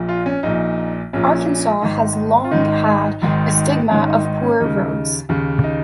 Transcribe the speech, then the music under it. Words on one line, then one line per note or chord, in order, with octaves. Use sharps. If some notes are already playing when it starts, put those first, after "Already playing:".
Arkansas has long had a stigma of poor roads.
Already playing: A#1 A#2
F4
C#4
A#1 A#2 D#4
A#1 A#2 C#4
G#1 G#2 D#3 D#4
F4
G#1 G#2 D#3 D#4
G#1 G#2 D#3
G#1 G#2 D#3 C#4
D#4
D#4
C#4
D#2 C#3 D#4
D#2 C#3
D#4